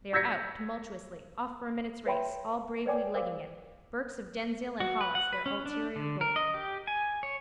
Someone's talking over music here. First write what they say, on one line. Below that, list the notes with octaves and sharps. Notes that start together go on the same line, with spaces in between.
They are out, tumultuously, off for a minute's race, all bravely legging it, Burke's of Denzille and Holles their ulterior goal.
E6 G6 G#6 A#6 B6 C#7
B4 C#5 E5 G5 B5 C6
B4 C#5 D5 G5 G#5 D6
A#4 C5 F5 D6
F#4
B4
F#5
B4
C#4
D4
D3
A#4
D#5
G4
G#5
C#5